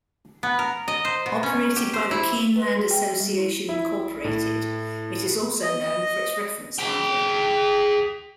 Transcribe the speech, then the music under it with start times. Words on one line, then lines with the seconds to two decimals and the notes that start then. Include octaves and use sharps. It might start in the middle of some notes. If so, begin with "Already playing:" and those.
Operated by the Keeneland Association, Incorporated it is also known for its reference library.
0.43 B3
0.59 A#4
0.88 D#5
1.05 C5
1.26 B2
1.43 C#4
1.76 G4
1.93 C5
2.11 E4
2.56 B4
2.76 G#4
2.91 G5
3.20 G3
3.38 E4
3.69 E4
4.24 A2
5.62 D#5
6.79 G#4 G5